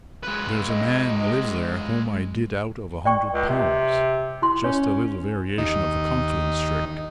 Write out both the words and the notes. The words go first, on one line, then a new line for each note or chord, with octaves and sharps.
There's a man lives there whom I did out of a hundred pounds-- just a little variation of the confidence trick.
G#3 B4
D#5
D5 G5 C#6
C#2
C3
E4 C6
C#4 C#5
D#2 D#4